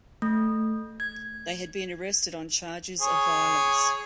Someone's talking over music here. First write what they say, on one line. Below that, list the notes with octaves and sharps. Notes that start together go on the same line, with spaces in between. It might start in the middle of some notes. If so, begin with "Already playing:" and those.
They had been arrested on charges of violence.
A3
G#6
G#4 C#5